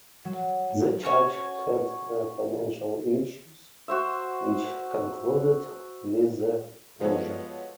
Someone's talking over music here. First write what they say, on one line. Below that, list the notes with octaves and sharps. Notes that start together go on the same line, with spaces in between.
The church had financial issues which concluded with the closure.
F#3
C#4 F#4 C#5
F#4 C5 E5
F3 G#3 B3 F#4 A4 C#5